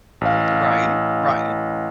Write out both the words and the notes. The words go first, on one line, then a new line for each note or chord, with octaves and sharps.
Right, right.
A1 F5